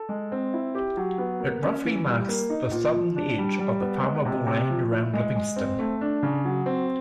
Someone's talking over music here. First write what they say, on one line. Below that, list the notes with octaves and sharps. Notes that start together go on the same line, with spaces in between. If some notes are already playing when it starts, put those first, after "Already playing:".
It roughly marks the southern edge of the farmable land around Livingston.
Already playing: A4
G#3
C4
E4
G4
F#3
B3
A#3
C#4
E3
G3
A#3
D#4
A#2
F3
D4
G3
G3
B3
G#3
C3
C3
F3
E4
G#3
G#3
C4
A3
D4
C#3
F#3
C4